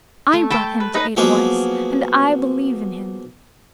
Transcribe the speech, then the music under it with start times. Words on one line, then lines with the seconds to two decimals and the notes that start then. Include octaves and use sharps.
"I brought him to Edelweiss, and I believe in him."
0.33 A3
0.50 A4 G5 A5 B5
0.80 B4
0.94 D#4 B4 D#5
1.17 F3 F#3 A#3 B3 G#4